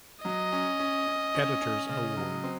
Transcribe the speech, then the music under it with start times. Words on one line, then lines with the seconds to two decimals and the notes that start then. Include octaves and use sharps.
Editors Award.
0.25 F#3 D#5
0.52 C#4
0.80 C#4
1.07 C#4
1.34 C#4
1.61 C#4
1.89 C#3 D#5
2.17 F#3
2.44 C4